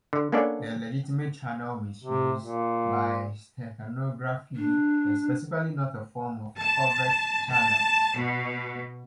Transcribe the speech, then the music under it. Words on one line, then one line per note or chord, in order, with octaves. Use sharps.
The legitimate channel misuse by steganography is specifically not a form of covert channel.
D3
A#3 B3 C#4 D4 A4 D5
C3
A#2
D4
A5
A5
B2